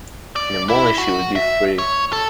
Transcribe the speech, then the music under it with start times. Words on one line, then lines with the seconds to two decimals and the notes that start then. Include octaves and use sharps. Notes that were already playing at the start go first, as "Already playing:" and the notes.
In a moment she would be free.
0.36 D5
0.70 E4
0.98 F#4
1.35 E5
1.78 C#5
2.13 A4